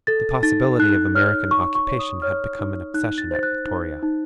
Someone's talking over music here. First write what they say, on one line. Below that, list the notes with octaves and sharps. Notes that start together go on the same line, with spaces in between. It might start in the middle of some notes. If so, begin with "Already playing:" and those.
The possibility of American occupation had become an obsession at Victoria.
A4 A6
D#4 A6
D#4 F#6
C#5 F6
D#4 C#6
C#6
C#5
D#6
C#5 F6
D#4
D#4 F#6
A6
C5 A6
F#6
D#4
D#4